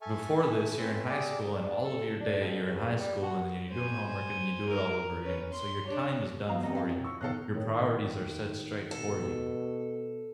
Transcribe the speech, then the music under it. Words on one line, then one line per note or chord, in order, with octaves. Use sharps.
before this you're in high school, and all of your day you're in high school, and then you're doing homework, and then you do it all over again. So your time is done for you. Your priorities are set straight for you.
A4 E5 G#5 A5 C#6 F6
C4 C#4 B4 E6
G4 G#4 D5 A#5 D6 E6
D4
A4
D4
F2
C#2
G3
F#4
C5 G#5
A#4
C#4 B4
C6
D4 C#5
E2 F#3 G#4 C5 F5 A#5
C4 A4 D#5
D#5 F5 A5
C#5
C#6 E6
G1 B2 D#3 A4 C#5 D#5 F5 F#6
A2 D#3 A#4
B2 A4